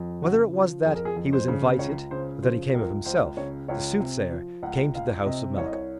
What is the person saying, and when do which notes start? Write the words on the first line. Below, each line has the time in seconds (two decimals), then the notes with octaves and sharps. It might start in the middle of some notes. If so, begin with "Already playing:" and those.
Whether it was that he was invited or that he came of himself, the soothsayer came to the house of Malcolm.
Already playing: F2
0.22 C#3 F#4
0.53 F3
0.85 F2 G#4
0.95 A#4
1.05 G#4
1.16 F2
1.33 C5
1.48 C#3
1.79 C#2 C#5
2.11 C#3 C5
2.42 F3 C5
2.74 C#2 A#4
3.06 C#2 C5
3.37 C#3 C#5
3.68 C#2 C#5
4.00 C3
4.32 F3
4.63 C#2 F#5
4.94 C#2 F5
5.26 C3 D#5
5.57 C2 C#5
5.65 D#5
5.72 C#5